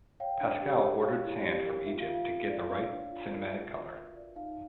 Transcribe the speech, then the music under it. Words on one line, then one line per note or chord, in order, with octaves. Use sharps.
Pascal ordered sand from Egypt to get the right cinematic color.
C#5 F5 G5
D4
G4
A#4
C#5 F5
E4
G4
A#4
F4 E5
F5
F4
F5
A4
D5
C#5 F5
D4
F4
A#4
F#4 E5
F#4 E5
B4
D5
D#4 F5